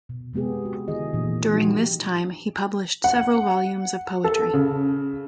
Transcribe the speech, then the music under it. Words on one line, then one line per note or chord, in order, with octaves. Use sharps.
During this time, he published several volumes of poetry.
B2
C3 G#3 B3 G4 G#4
F#4
D#3 E4 G#4 D#5
A#2 D#3 E3 D4
F3 G3 A#3 D#4 F#4 G4
F#5
A4
C#3